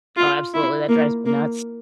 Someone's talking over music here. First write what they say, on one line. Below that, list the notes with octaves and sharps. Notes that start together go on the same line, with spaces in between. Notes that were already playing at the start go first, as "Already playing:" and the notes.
Oh, absolutely. That drives me nuts.
F4
E4
A#3
A#3